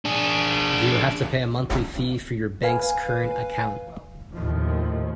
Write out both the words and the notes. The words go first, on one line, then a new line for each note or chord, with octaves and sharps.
Do you have to pay a monthly fee for your bank’s current account?
D4 G#4
B4 F5 G#5
D#2 A2 D#3 F3